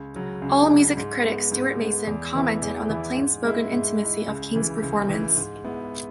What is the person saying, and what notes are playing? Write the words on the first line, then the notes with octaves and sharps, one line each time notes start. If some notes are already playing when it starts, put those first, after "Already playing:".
Allmusic critic Stewart Mason commented on the "plainspoken intimacy" of King's performance.
Already playing: C#2
C#3 F#3
C#2
C#3 F#3
G#2
G#3 B3
G#2
G#3 B3
E2
E3 B3 E4
E2
E3 B3 E4
G#2
G#3 E4
G#2
G#3 E4
C#2
C#3 E3
C#2
C#3 E3
G#2
G#3 B3 E4